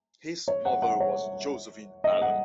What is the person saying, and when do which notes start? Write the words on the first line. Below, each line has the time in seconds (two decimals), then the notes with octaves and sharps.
His mother was Josephine Allan.
0.48 C#5
0.65 F#5
0.82 F#5
1.00 C#5
2.04 D#5
2.22 F#5